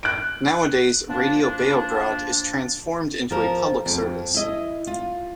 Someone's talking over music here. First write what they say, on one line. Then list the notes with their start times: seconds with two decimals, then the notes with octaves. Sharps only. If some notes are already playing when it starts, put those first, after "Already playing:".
Nowadays, Radio Beograd is transformed into a public service.
0.03 F#6 D7
1.09 F3 A#3 D4
3.31 F3 A#4
3.86 F2
4.34 E4 D#5
4.87 F4